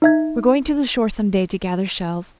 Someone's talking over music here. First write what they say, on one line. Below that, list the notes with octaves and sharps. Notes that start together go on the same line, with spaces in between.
We're going to the shore some day to gather shells.
D#4 E5 G#6